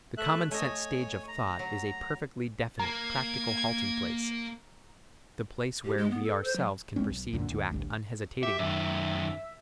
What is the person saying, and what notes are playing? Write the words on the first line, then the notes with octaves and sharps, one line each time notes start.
The common-sense stage of thought is a perfectly definite practical halting-place, the place where we ourselves can proceed to act unhesitatingly.
A3 E5 F#6
A3 C#5 D#5 G#5
A#5
F#3
A#3 A#5 G#6
G4
G#3
B3
A4
C5
F#3
C2 G#3 C4 C#4
B1
C2 F#2 A#2 D3
D2
A1 D2 G2
G4 E5
F#2 D#3 E5